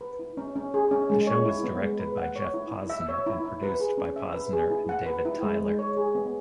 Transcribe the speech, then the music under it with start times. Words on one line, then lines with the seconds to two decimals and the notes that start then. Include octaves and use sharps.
The show was directed by Geoff Posner and produced by Posner and David Tyler.
0.01 B4
0.19 E4
0.37 C#4
0.56 C#4
0.74 G#4
0.91 C#4
1.10 G#3
1.27 C#5
1.46 E4
1.64 B3
1.81 G#3
1.99 B4
2.18 F#5
2.36 C#5
2.54 E4
2.72 E4
2.90 E5
3.09 C#5
3.26 E4
3.45 E4
3.63 B4
3.80 G#4
3.98 C#4
4.16 E5
4.34 B4
4.53 G#4
4.70 E4
4.89 F#5
5.06 B4
5.25 E4
5.43 G#3
5.60 G#3
5.79 C#5
5.97 G#4
6.15 B3